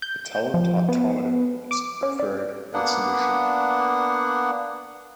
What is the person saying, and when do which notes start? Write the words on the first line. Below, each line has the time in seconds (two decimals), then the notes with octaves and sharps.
The tele-tautomer is preferred in solution.
0.02 G6
0.54 F3
0.89 B3
1.71 D6
2.03 C#4
2.19 D5
2.74 A#3 B3 D4 F#5